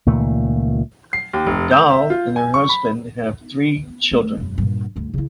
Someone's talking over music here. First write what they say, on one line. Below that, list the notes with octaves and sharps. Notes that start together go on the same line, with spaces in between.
Dahle and her husband have three children.
C#2 A#2 D#3 A3
C7
D#2
F1
G6
E5
F4
G#5
C#6
B5
A3
E1 F#2
G2 A#2
D2 G2
C#3 E4